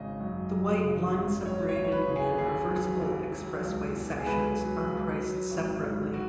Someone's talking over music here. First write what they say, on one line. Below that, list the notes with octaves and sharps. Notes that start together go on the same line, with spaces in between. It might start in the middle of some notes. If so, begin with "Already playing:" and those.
The white line-separated and reversible expressway sections are priced separately.
Already playing: G#1 C#3 D#5
F#2
F#3
C#3
G#1
F#3 C#5
C#5
D#2
C#5
B4
C#3
G#4
D#2 G#4
F#3
D#2
F#3
C#2
B2
G#4
C#2 B4
F#3
C#2
F#3
G#1
G#2
F#4